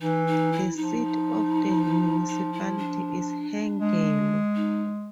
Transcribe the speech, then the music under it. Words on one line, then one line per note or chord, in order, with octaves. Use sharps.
The seat of the municipality is Hengelo.
E3 D#4
D#4
E4
F3 D#4
D#4
E4
D4
G#3
D#4